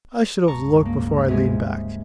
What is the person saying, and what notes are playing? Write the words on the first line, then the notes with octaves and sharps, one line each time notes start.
I should have looked before I leaned back.
C#2 G2 A5 A#5 C#6
A#3
C3 G#3 G#4